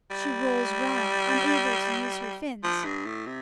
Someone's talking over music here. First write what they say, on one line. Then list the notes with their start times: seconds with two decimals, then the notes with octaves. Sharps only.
She rolls round, unable to use her fins.
0.11 G3
2.64 F3
2.85 G2
3.06 A2
3.27 C3